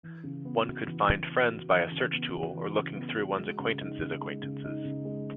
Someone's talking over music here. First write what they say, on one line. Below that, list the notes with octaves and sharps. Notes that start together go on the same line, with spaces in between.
One could find friends by a search tool or looking through one's acquaintances' acquaintances.
E3
C#3
B3
F#4
E3
C#3
B3
F#4
E3
C#3
B3
F#4
E3
C#3
B3
F#4
G#3
C#3
D#4
C#3
G#3
C#3
D#4
C#3
G#3